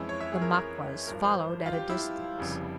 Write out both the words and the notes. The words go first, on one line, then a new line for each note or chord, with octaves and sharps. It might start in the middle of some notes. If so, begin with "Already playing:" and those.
The Maquas followed at a distance.
Already playing: F2 E3 G#3 C#4 E4
C#5
E5
G#4
A#4
G#4
A#4
G#1 G2 F3 A#4
C5
F4
G4
E4
F1 F2 C#3 G3